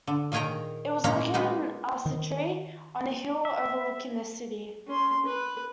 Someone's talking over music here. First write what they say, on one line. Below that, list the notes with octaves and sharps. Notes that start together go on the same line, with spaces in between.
It was located in Arcetri, on a hill overlooking the city.
D3
A#2 D#3 G#4 C#5 G5 A#5
A#2 G#3 A#3 C#4 A#5
G#3 A#3 B3 D#4
D#3
E5
C#4 C6
B4